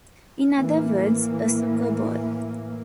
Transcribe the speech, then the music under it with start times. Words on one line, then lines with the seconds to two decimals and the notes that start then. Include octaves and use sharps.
In other words, a soccer ball.
0.54 A2 E3 A#3